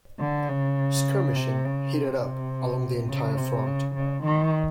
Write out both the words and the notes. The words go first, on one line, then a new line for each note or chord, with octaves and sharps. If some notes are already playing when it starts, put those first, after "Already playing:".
Skirmishing heated up along the entire front.
D3
C#3
C3
C#3
C3
C#3
C3
C#3
C#3
D#3